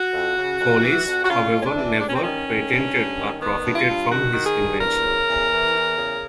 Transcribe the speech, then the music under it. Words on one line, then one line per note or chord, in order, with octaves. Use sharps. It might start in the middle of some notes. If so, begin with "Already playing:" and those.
Foulis, however, never patented or profited from his invention.
Already playing: F#4
F2
C#3
F2
E3
F2
F#4
C#3 F4
F2
C#4
D4
E3
G2 D4
C#4
C4
D#3 C#4
D#3
G2
G2
D#3
D#3 B3
G2
F4
G2
D#3 F#4
D#3
G#4
G2
E2 A#4
C#3
E2
E3
E2
C#3